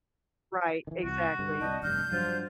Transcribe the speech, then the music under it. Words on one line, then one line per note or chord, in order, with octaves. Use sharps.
Right, exactly.
D#3 E3
C2 F#4
G2 D3
C2 D5 D#5 A5 G6
F1 G2 D4 F6 G6
G2 F3 F#3 D4 F4 C5